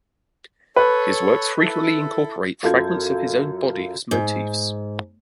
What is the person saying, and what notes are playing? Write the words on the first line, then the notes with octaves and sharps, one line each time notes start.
His works frequently incorporate fragments of his own body as motifs.
A4 B4 C#5
E4 A4
F#2 F4 A4 G6 G#6
G#2